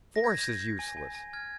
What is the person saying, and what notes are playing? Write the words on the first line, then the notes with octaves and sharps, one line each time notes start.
Force is useless!
A#6
G6 G#6
G6
G6
G#5
G#5
G#5
F6 G#6